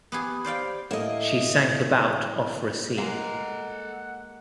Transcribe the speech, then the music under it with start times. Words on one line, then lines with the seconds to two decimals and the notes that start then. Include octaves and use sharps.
She sank about off Racine.
0.12 B3 G4 G#4
0.44 C5 D5 F5 G5
0.91 A2 A#3 D#5
2.98 G#3 A#3 A4 F#5 A#5